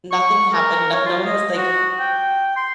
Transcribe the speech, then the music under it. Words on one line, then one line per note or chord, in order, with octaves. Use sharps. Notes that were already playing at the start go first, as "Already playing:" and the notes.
nothing happened, no no one was like,
C#6
A#4
C#5
F4
D#5
F#4
G5
C6